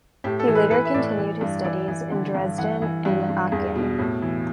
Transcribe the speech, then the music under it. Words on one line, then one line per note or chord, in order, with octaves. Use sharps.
He later continued his studies in Dresden and Aachen.
A2 G4
A4
E3
B4
E3 B4
E5
A2 D5
E3
G2
E3 D5
E3
D3
G2
E3 F#5
E3
G2
G2
E2
B2
A2
E3